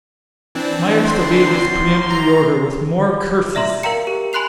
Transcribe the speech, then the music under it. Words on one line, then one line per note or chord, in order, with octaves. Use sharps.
Myerst obeyed this peremptory order with more curses.
E3 C4 D4
F#2 C6
A#5
D5 E5 A#5 C6
A#4 F5 G5 A#5 C#7
G4
G#5 B5 C6 F#6 C7 F7